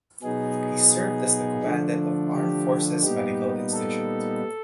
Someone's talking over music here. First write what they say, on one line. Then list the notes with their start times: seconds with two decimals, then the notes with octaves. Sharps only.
He served as the Commandant of Armed Forces Medical Institute.
0.23 B2 F#3 B3 D#4 G#4
1.63 D3 F3 A3 D4
2.32 G4
3.03 A#2 G3 B3 D#4 G4
3.73 A4